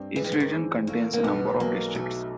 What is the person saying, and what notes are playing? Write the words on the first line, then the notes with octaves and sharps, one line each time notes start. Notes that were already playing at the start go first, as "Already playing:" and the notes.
Each region contains a number of districts.
Already playing: G2 C4
E3 G#3
D#3
D3
D#3
E3
A3 A#3
A#3
B1 B3
F#3 A#3
B2 A3